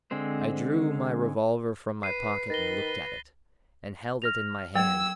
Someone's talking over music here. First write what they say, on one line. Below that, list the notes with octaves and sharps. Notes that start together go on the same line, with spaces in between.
I drew my revolver from my pocket and looked at it, and held it in my hand.
D3 G#3 C4 C5
B4 C7 D#7
D#3 B4 A6 A#6 G7
F6 A#6 F7
F#3 G5 E6 G#6